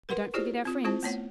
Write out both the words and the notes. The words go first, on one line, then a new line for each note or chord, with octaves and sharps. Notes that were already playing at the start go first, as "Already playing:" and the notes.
We don't forget our friends.'
A#4 B4 F#5 C6
E4 F4 G4 G#4 C5 D5
C4 F4
C4 E4 F4 C5 A5
A3 B3 C#5 F#5